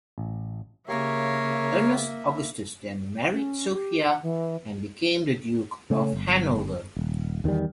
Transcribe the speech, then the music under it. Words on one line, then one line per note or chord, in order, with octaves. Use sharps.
Ernest Augustus then married Sophia and became the Duke of Hanover.
A1
C#3 A#3 G4 A#4 C#5 E5 F5
C#4
G4
F#5
E3
C#3 A3 C#4
G1
D#1
E2 D#3 F#3 G3